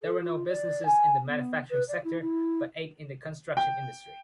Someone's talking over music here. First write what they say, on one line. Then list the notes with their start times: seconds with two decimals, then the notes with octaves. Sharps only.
There were no businesses in the manufacturing sector, but eight in the construction industry.
0.03 A4
0.21 F4
0.47 D5
0.85 G#5
1.26 B3
1.69 B4
1.88 D5
2.04 E4
2.20 E4
3.57 G5